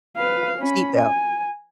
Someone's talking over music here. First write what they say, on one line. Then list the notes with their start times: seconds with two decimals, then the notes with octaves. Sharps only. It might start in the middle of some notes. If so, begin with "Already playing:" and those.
Seat belt.
0.16 B4 F5
0.58 C#4 B5
0.97 G#5